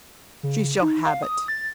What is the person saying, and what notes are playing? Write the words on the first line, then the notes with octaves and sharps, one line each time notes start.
"She shall have it."
C#3
D#4
F5
D#6
A6